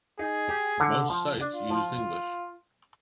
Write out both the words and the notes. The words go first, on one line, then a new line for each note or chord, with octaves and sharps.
Most sites used English.
D#4 G#4
G4
D3
F3
D4
F4
F3